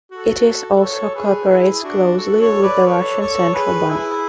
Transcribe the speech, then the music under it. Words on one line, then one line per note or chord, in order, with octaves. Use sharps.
It is also cooperates closely with the Russian Central Bank.
F#4 A4
A4 C#5
G#4 B4
E4 G#4
D4 F#4
F#4 A4
A4 C#5
B4 D5
A4 C#5
A4 C#5
G#4 B4
E4 G#4